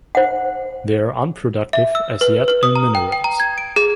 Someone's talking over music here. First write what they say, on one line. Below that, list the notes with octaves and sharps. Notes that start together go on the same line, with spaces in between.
They are unproductive as yet in minerals.
C5 F#5
E5
E6
B4
B4
D#6
A#5
G5
G5
A#5
G#6
D7
G#4